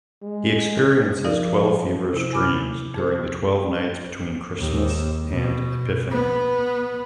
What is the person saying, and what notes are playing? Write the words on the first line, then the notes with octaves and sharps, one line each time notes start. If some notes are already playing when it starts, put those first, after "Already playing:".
He experiences twelve feverish dreams during the twelve nights between Christmas and Epiphany.
G#3
F3 D#4 A#4 D5
C3 E4
G#5 B5 D6 E6 F6
F2 G#4 C5
D#2
B2
B3